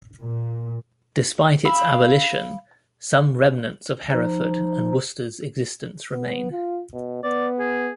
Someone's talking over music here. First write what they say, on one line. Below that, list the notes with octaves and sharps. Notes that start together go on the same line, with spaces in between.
Despite its abolition, some remnants of Hereford and Worcester's existence remain.
A#2
F5 B5 E6
F3 D#4
B3
F4
B2
B3 D5
G#4